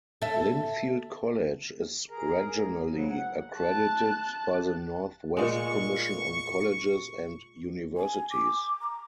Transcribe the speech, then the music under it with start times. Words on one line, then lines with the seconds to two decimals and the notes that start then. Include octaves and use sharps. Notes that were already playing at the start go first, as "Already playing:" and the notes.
Linfield College is regionally accredited by the Northwest Commission on Colleges and Universities.
0.22 A4 E5
2.10 G#4 A#4
2.90 G#2 C#3 F#3
3.09 F#5
3.57 A5 F#6
5.37 A#2 G#3 C#6
7.97 G#5
8.31 D6
8.81 A#5